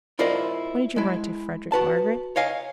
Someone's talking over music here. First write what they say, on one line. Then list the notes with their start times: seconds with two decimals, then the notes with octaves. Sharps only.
'When did you write to Frederick, Margaret?
0.19 E4 F4 A#4 C5 D5 D#5
0.96 G#3 E4
1.72 F#4 B4 A5
2.36 C#5 D#5 F5 G#5